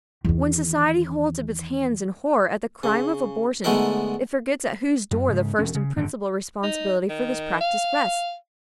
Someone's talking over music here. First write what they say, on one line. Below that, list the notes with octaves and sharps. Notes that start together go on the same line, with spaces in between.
When society holds up its hands in horror at the "crime" of abortion, it forgets at whose door the first and principal responsibility for this practice rests.
E2 D#3
C#3
D3 G#3 A3 B3 D#4 A#4
F#2
G#2 C#3
E1 C#4
C#3
G#1 F#2 D3
D#4
D#3
F5